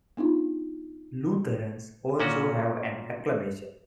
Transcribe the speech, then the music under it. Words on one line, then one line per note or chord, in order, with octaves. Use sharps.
Lutherans also have an acclamation.
B3 D4 D#4 F4
A#2 C#4 F#4